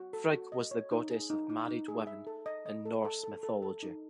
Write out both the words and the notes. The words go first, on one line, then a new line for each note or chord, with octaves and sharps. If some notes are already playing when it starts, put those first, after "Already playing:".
Frigg was the goddess of married women, in Norse mythology.
Already playing: F#4
A4
F#4
D#5
C#5
D#4
G#4
D#4
D#4
D#4
G#4
E5
A4
D#5
D#5
A4
A4
A4
A4
A4
D#4